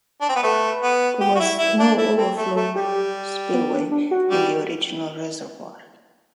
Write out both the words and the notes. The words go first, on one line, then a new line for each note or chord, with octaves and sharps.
There was no overflow spillway in the original reservoir.
D4
C4
B3
A3 B4
B3
G4
F#4
E4
E4
D4
E4 A4
C4 A4
A3
A3 A4
G3 G4
B3
D4
D4
F#4
G3